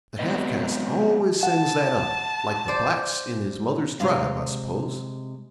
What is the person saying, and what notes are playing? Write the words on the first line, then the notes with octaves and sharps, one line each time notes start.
The half-caste always sends that up--like the blacks in his mother's tribe, I suppose.'
F#3 G#3 B3 C4 B4 D#5
F#5 A5
C5 D5
C3 F#3 G#3 F5